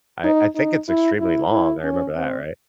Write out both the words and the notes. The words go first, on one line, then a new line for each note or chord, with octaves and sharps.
I I think it's extremely long, I remember that, right?
D#4
D#4
E4
E4
E4
C#4
C4